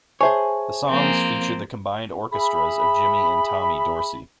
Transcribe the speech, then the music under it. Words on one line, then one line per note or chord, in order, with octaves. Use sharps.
The songs featured the combined orchestras of Jimmy and Tommy Dorsey.
G#4 C5 C#5 E5 G#5 A5 C#6
F3 A#3 C4
G#4 E5 B5